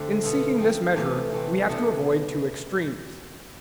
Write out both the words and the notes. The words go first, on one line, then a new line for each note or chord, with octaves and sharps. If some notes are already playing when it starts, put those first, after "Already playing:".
In seeking this measure, we have to avoid two extremes.
Already playing: D3 A3 C4 D4
B2 B3 F4 A4
F3 C4 E4
C3 E3 A3
E3 A3 C4
B2 B3 D4 A4